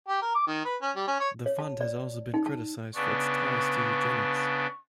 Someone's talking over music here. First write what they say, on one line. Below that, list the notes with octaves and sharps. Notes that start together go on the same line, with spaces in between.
The fund has also been criticized for its ties to eugenics.
G4
A#4
D6
D#3
B4
C#4
G3
C#4
C#5
C#5
A5
D5
D#4
A5
C#3 B3 D4 C#6